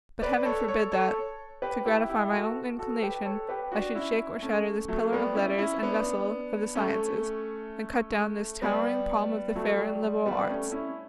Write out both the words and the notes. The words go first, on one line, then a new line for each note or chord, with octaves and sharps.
But heaven forbid that, to gratify my own inclination, I should shake or shatter this pillar of letters and vessel of the sciences, and cut down this towering palm of the fair and liberal arts.
B4 D5
A4 C#5
A4 C#5
A4 C#5
G4 B4
E4 G4
E4 G4
F#4 A4
F#4 A4
G4 B4
A4 C#5
G4 B4
D4 F#4
C#4 E4
A3 C#4
F#3 A3
G3 B3
C#4 E4
C#4 E4
B3 D4
A3 C#4
G3 B3
F#3 A3
G3
G3
G3 B3
A3 C#4
C#4 E4